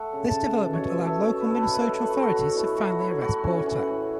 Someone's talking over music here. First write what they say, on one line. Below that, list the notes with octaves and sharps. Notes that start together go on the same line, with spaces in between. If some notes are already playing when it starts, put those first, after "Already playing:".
This development allowed local Minnesota authorities to finally arrest Porter.
Already playing: A3 E5 F#5
C#3
A5
C#3
B2
C#5
B2
E5
A3
E5
B2 C#5
B2 B4
A4
B4
F#3
B4
A3 A4
B4
A3 A4
F#4
B2
B2 E4
A3 F#4
F#3 E4
A3 F#4
A2 C#4
E3 C#4
A2